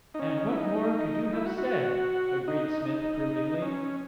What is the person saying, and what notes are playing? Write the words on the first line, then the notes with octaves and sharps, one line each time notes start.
"And what more could you have said?" agreed Smith approvingly.
D#4
C#4
D#4
C#4
E4
D#4
E4
F#4
F#4
D#4
D#4
C#4